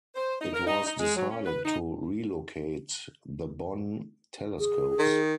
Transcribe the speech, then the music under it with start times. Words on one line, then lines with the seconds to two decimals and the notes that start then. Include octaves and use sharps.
It was decided to relocate the Bonn telescopes.
0.14 C5
0.41 D#4
0.53 A#4
0.66 D#4
0.86 D#4
0.99 G#3
1.16 F#3
1.29 C#4
1.45 B4
1.65 D#4
4.59 G#4
4.99 D#3